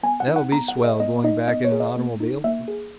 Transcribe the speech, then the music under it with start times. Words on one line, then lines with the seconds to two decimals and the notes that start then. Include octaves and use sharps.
That'll be swell, going back in an automobile.
0.03 B3 G#5
0.20 F#5
0.28 D#4
0.36 F#5
0.52 B3 A#5
0.68 F#5
0.76 G#4
0.84 D#5
1.00 B3 D#5
1.24 D#4 D#5
1.48 B3 D#5
1.64 C#5
1.72 G#4
1.80 D#5
1.96 A#3
2.20 D#4
2.44 A#3 E5
2.68 G#4